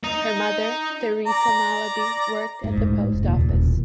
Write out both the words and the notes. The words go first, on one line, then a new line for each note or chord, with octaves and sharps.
Her mother, Theresa Malaby, worked at the post office.
D#4
D5 A#5
G#2
A2
F1
D#2 A#2
E1 F#3